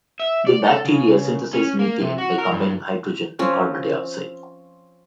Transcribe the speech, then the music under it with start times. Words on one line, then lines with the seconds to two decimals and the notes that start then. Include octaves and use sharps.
The bacteria synthesize methane by combining hydrogen and carbon dioxide.
0.20 E5
0.47 D5
0.64 A4
0.85 C#3
1.53 C#4
1.79 A#3
2.01 C3
2.18 F#4
2.38 A#4
2.51 G2
3.39 F3 C4 C#4